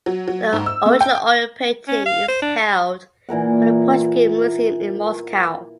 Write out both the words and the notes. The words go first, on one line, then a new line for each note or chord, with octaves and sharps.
The original oil painting is held by the Pushkin Museum in Moscow.
F#3
F#3
G#2
E6
A3
G5
C#4
F5
C5
D4
A#2 E3 A#4 F#5